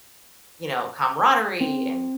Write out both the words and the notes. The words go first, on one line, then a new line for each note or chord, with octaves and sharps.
you know, camaraderie and
C4